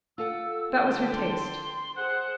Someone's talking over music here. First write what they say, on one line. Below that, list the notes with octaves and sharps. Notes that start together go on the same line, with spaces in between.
That was her taste.
F4 A4 F#5 E6
D3 G5 A5
C6
G#4 C5 F#5 F#6